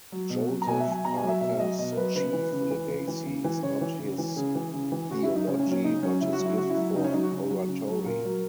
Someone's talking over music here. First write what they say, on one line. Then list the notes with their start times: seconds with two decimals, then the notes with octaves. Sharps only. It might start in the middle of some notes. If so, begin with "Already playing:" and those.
Joseph Parker's chief legacy is not his theology but his gift for oratory.
0.12 F#3
0.30 B2
0.48 F#3
0.62 A#5
0.67 B2 G#5
0.80 E5
0.86 F#3
0.92 G#5
1.04 B2 A#5
1.17 G#5
1.23 F#3
1.28 E5
1.41 B2 E5
1.54 E5
1.59 F#3 D#5
1.78 B2 D#5
1.92 A#4
1.97 F#3 B4
2.15 C#3 B4
2.33 E3
2.52 C#3
2.70 E3
2.88 C#3
3.08 E3
3.25 C#3
3.44 E3
3.63 C#3 C#5
3.81 E3
3.99 C#3
4.18 E3
4.36 C#3 G#4
4.55 E3
4.74 C#3
4.92 E3
5.11 C#3 F#4
5.23 E4
5.29 F#3
5.35 D#4
5.47 C#3 C#4
5.59 C#4
5.66 F#3
5.71 C#4
5.84 C#3 D#4
6.02 F#3 C#4
6.21 C#3 E4
6.33 F#4
6.40 F#3
6.45 E4
6.57 C#3 F#4
6.70 E4
6.77 F#3
6.94 C#3 D#4
7.04 C#4
7.13 F#3 D#4
7.23 F#4
7.31 C#3
7.50 F#3
7.68 C#3
7.87 F#3
8.05 A#2 A#4
8.25 F#3